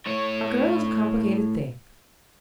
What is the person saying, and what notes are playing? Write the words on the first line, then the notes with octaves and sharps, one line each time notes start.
A girl is a complicated thing.
A2 C#5